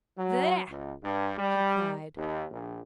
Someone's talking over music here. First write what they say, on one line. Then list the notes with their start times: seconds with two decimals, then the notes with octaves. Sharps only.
"There!" he cried.
0.18 F#3
0.69 C#2
1.04 G2
1.39 G3
2.17 D#2
2.51 A#1